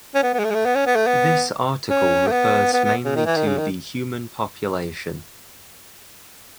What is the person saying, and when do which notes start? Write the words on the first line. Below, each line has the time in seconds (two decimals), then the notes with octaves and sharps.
This article refers mainly to the human population.
0.15 C#4
0.23 B3
0.34 B3
0.39 G#3
0.44 A3
0.50 G#3
0.54 A3
0.66 B3
0.75 C#4
0.87 B3
0.96 A3
1.07 B3
1.90 C#4
2.27 A3
2.32 B3
2.73 B3
2.84 B3
3.05 C#3
3.16 D#3
3.26 E3
3.37 D#3
3.47 C#3
3.58 D#3